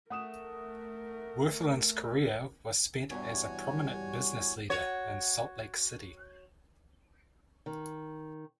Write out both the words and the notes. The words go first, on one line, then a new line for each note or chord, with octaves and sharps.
Wirthlin's career was spent as a prominent business leader in Salt Lake City.
A3 A#4 F#5 D#6 E7
E2 G2 E3 G3 F#4 C#5 G#5
F#4 C#5
D#3